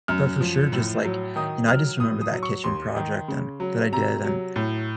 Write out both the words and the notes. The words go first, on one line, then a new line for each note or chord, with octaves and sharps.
but for sure, just, like you know, I just remember that kitchen project and that I did and
F#2 F6
F3
A2
F#3
D#3 D#6
F#3 F6
A2 D#6
D#6
F#3
C#6
D#2 C6
D#3
C#3
F#3
C3 A#5
F#3
A2